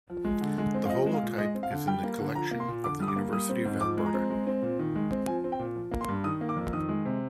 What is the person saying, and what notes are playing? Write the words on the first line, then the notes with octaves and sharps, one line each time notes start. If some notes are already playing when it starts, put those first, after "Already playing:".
The holotype is in the collection of the University of Alberta.
F3
G#3
D3
G#3
C4
F5
F3 D#5
G#3
F5
A#2
G#3 D#5
C4
F5
D3
G3 G5
A#3
D3
F3 A#5
A#3
C6
A#2
D3 D6
G3 D#6
D6
A#3
G3 D#6
C4
G#2
F3 D6
G#3
A#5
C4
G#3
C4
A#2
D#3
G#3
C4
F3 G#5
C4
G5
A#2
F3
A#3
C6
G2
D#3 D#6
A#3
D6
F2
D#3 D#6
G#3
C3